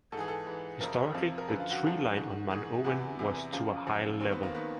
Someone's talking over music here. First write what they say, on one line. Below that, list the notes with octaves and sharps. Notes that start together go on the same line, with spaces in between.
Historically, the tree line on Mount Owen was to a high level.
G#2 A4
E3 G#4
A4
G#2 E3
F2 C3 F3 A#4
F2 C3 F3
A#4
F#2 D3 F3 B4
F4
F#4
F#2 D3 F3
G#2 D#3
G#2 D#3 G#4
E2 C3 E3 F#4
E2 C3 E3
F#2 C#3 F3 F4
F#2 C#3 F3
D#2 D#3 C4
B3
A#3
D#3 B3